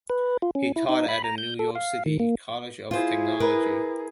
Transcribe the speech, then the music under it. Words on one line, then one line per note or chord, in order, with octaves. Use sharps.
He taught at the New York City College of Technology.
B4
F4
C#4
E4
D#4
B5
A#5
G6
A4
F5
D#3
A#3
E4 F4 G#4 C5
A#4 B4